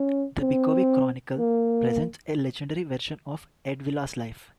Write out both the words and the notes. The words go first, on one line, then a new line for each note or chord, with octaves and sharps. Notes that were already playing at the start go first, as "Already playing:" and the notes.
The Bychowiec Chronicle presents a legendary version of Erdvilas' life.
Already playing: C#4
C4
A#3